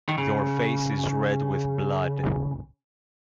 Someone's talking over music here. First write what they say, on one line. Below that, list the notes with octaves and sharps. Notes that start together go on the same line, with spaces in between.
Your face is red with blood.
D#3
C#3